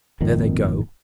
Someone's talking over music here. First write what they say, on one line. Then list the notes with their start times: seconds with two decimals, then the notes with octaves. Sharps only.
"There they go!"
0.21 G#1 F2 A#2 D#3